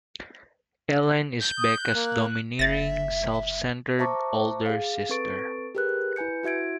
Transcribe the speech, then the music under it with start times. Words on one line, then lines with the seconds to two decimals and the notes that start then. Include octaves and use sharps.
Ellen is Becca's domineering, self-centered older sister.
1.41 G6
1.57 D#6
1.78 F#6
1.94 A#3
2.59 F#1 E5 A6 A#6
3.99 C5 E5 A5 A#5 C#6 D6
4.66 G#4 F5
5.09 C4 A4 B4 C#6 A6 D7
5.75 G4 G#4 A#4 B4 F#6
6.16 E4 B4 G#5 G6 C#7
6.43 E4 F#4 E5 G#6 D7